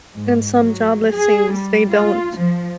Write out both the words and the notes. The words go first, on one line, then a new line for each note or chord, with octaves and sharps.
And some job listings, they don't
G#2
F#3
G#4
G3
F4
F3